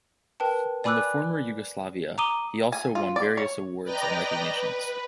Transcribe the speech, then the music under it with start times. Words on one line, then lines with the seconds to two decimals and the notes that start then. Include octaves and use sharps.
In the former Yugoslavia he also won various awards and recognitions.
0.40 A#4 B4 G5 A5
0.84 D5 G#5 B5 D6 E6 F#6
2.18 A#5 D6 D#6 D#7 G7
2.72 G#5
2.95 F4
3.16 D5
3.37 C#5
3.84 B4 D5 D#5 G5 A#5 A#6
4.54 B4